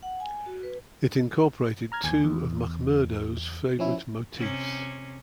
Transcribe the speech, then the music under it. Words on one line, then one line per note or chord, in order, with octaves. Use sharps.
It incorporated two of Mackmurdo's favourite motifs.
F#5
G#5
F#4
B4
A#5 F6 G#6
D#2 G#5
E2
F3 C#4 E4
C3 C#4